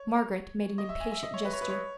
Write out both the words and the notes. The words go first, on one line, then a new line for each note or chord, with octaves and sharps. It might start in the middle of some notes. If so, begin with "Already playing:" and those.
Margaret made an impatient gesture.
Already playing: C#5
D#5
E5
G#5
E5
D#5
C#5
B4
C#5
B4
C#5